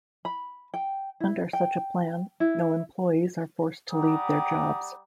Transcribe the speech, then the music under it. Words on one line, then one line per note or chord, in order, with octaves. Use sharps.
Under such a plan, no employees are forced to leave their jobs.
B5
G5
E4
G5
E4
G3 G4 F#5 A#5 D6 D#6